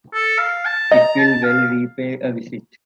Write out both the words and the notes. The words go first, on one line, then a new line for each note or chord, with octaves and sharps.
It will well repay a visit.
A4
F5
A5
D#5 A#5
A5
F5